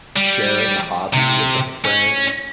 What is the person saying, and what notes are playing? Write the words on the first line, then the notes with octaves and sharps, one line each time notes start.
sharing a hobby with a friend
G3
C3
C#4